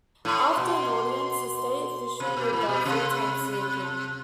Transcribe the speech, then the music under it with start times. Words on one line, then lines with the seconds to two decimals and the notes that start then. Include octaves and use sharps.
After an audience, the state official would bow three times to the king.
0.25 A2 C6
0.57 B2
1.55 C6
2.20 C3 B5
2.37 B2
2.52 A2 B5
2.69 B2
2.85 C3 C6
3.17 B5
3.50 B5
3.83 A5